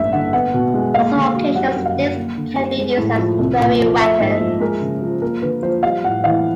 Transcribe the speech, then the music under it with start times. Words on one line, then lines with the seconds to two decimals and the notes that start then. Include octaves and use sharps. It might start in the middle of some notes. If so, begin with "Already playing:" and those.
On some occasions, sticks can be used as throwing weapons.
Already playing: A1 G2 G3 E5
0.13 D3 F#5
0.33 B3 F#5
0.54 B2
0.74 G#3
0.94 A#3 F5
1.15 D3
1.35 F#3
1.55 G3 F#5
1.76 F#2
1.86 F5
1.96 D3
2.16 A#3
2.37 D3
2.58 G3
2.78 G#3
2.98 A2
3.18 F3
3.39 C2
3.60 A#2
3.80 F3
4.00 A3 E5
4.20 G#2
4.30 D#5
4.41 F3
4.61 G#3 A#4
4.81 C#3
5.02 F3
5.22 A#3 A#4
5.42 D3 B4
5.62 F3 C5
5.83 G3 F5
6.04 A2 F#5
6.24 E3 F5